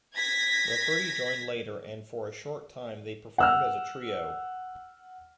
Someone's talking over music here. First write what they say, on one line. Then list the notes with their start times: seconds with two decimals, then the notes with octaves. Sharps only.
Rafferty joined later and for a short time they performed as a trio.
0.15 G#6 A#6 B6
3.38 F#5 E6 F6